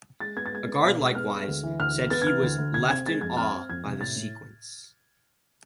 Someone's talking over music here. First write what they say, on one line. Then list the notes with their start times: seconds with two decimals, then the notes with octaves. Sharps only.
Agard likewise said he was "left in awe" by the sequence.
0.20 G#3 A6
0.37 B3 G#6
0.46 A6
0.52 G#3 G#6
0.68 B3
0.84 B2
1.00 G#3
1.15 B3 F6
1.32 G#3
1.48 D2
1.63 E3
1.79 D2 F6
1.94 E3
2.10 B3 A6
2.22 G#6
2.27 E3 F6
2.42 D2
2.58 D2
2.74 C3 G#6
2.90 C4 G#6
3.06 G#3 A6
3.21 F2 G#6
3.37 C4 F6
3.53 C4
3.69 F2 G#6
3.85 C3
4.00 A2 A6
4.16 A2